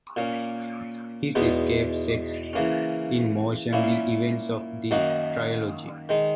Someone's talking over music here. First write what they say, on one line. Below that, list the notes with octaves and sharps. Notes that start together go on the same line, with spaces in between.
His escape sets in motion the events of the trilogy.
A#2 A#3 C#4
E2 B2 G#3 B3 D#4
C#3 E3 A#3 C#4
A#2 A#3 C#4 E4
F#2 D#3 A#3 D#4 F#4
D#3 G#3 D#4